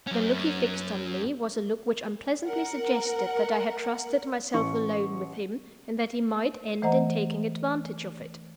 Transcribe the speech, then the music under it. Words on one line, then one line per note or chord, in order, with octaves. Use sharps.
The look he fixed on me was a look which unpleasantly suggested that I had trusted myself alone with him, and that he might end in taking advantage of it.
F#2 C#4
A#4 F#5
A1 C#6
E3 A3 C5 D#5 F#5 A#5